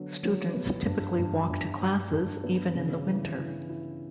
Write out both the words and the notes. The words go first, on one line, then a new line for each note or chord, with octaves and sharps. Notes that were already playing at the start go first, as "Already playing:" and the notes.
Students typically walk to classes, even in the winter.
Already playing: D3 F#3 B3
F#3
B3
G2
G2
G2
G2
G2
B3
C#3
E3
E3
E4